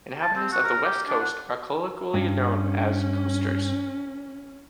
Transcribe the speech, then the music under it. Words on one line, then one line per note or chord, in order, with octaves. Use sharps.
Inhabitants of the West Coast are colloquially known as "Coasters".
A5
C4
F#4
A#4
G4
D4
F#5
G2 C#4